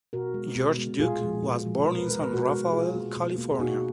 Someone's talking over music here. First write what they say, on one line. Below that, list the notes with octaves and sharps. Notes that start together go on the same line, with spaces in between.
George Duke was born in San Rafael, California.
B2 F#4 A#4
G#3
B2
G#3
A#2 F4 G#4
F3 G#3
A#2
F3 G#3
B2 A#4
B4
G#3 A#4
B4
B2 F#4 A#4
G#3
B2 F4 G#4
A#3
B2
A#3
G#4
B2 D#4 F#4